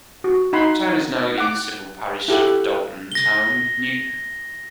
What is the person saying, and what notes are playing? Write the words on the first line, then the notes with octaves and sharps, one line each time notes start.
The town is now in the civil parish of Dalton Town with Newton.
F#4
D#4 F#5 B5 C6
F#5 D6
E4 G4 A4 F#5
A#6 G7